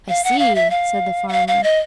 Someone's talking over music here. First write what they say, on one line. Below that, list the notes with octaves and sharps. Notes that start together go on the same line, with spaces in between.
"I see," said the farmer.
F5
F#5
F5
E5
F5
F#5
F5
F5
D#5